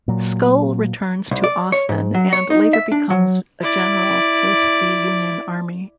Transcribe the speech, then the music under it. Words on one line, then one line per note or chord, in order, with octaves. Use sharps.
Scull returns to Austin and later becomes a general with the Union army.
A#2 F#3
C2
D5
C#5
G#2
F#3
C#5
D#4
E5
D4
F#3
E4 D5